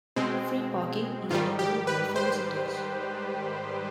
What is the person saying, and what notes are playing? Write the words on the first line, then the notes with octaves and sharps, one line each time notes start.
Free parking is available for visitors.
B2 G#3 C4
G#2 D#3 G3 F4
G4
B4
C5